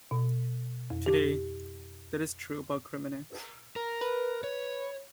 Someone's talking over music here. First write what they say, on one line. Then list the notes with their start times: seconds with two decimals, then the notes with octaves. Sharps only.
Today that is true about criminals.
0.11 B2
0.90 F2
1.06 G4
3.76 A#4
4.01 B4
4.44 C#5